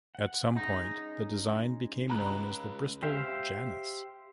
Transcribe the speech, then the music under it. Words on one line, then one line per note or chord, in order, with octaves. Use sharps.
At some point the design became known as the Bristol Janus.
F#5
G#3 C#4 D#4 G#4
C#2 A#5 B5 F#6
G4 C5 E5 F5 G5